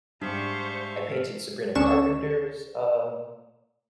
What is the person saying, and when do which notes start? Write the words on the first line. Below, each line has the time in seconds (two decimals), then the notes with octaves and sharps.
I painted Sabrina Carpenter's, um,
0.21 G#2 G3 D4 C5 E5 F5 C#6
1.75 D2 C#4 D4 C#6 E7